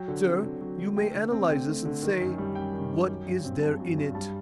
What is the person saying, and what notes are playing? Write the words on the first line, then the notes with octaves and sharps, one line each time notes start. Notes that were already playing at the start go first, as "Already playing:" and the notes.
Sir, you may analyse this, and say what is there in it?
Already playing: F#3 G5
D3
C4
D3
F#3
D3
A3 G5
D3
C4
D3 G5
A3
D3
D#3
F#2
G3
F#2 G5
D#3
F#2
F#3
G2
C4
G2 A5
F#3
G2
G3 A5